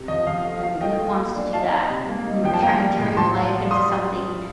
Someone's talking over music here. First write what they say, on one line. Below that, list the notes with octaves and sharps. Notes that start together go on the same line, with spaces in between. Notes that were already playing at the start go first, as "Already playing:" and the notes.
and who wants to do that when you're tryna turn your life into something
Already playing: C3
F3 D#5
F3 F5
A3 F5
A3 F5
A3 D#5 G5
F4
A#3
D4
D#4 F5 A5
D#4
C3
A#3
D#4
F3 G5
A5
A#3 G5 A#5
G3
A2
F3 A5 C6
F4
F4
G3 C6 D#6
G3